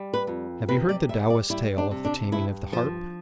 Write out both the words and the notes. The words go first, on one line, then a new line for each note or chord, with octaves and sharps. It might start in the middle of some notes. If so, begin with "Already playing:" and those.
Have you heard the Taoist tale of the Taming of the Harp?
Already playing: G3
B4
F2
C3 B4
D5
G3 E5
D5
G3 E4
D4
C3
D4
G2 E4
F3 C5